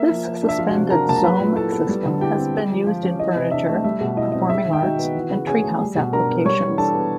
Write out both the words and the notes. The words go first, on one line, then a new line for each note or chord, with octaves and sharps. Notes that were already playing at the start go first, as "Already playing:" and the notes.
This suspended zome system has been used in furniture, performing arts, and treehouse applications.
Already playing: A#3 E5
F3
F3
D4
E5
F3 F4 F5
F#4 F#5
C3
D4 A#4 A#5
A#3 A5
A#5
F#3 B4 B5
A#2
E4 A4 A5
B3
G3
D3
E4 G4 G5
C4
G#3
F3
F3 F4 F5
C#4
E3 D#5
C3
D4 E5
A3
G3 E5
B2
E4 D#5
C4 D#5
G#3 E5
D#3
G5
D#4 F#4 F#5
B3
E3
C#3
C#4 G#4 G#5
A3
G3
B2
D4 A#4 A#5
B3
G3 C#5 C#6
E3
D4 A4 A5
B3